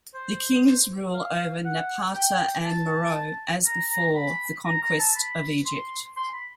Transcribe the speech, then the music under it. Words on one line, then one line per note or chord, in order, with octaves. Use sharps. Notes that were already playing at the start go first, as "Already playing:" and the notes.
The Kings rule over Napata and Meroe as before the conquest of Egypt.
C5
F5
F#5
G5
A5
A#5
A#5
B5
A#5
A#5
A5
B5
C6
C6
B5